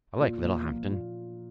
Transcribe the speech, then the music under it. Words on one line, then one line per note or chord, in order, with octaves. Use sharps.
I like Littlehampton.
A#2
A#3
F3
A#2